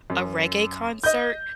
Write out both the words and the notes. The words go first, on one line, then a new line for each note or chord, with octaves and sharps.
a reggae concert,
F#2
D#5 G6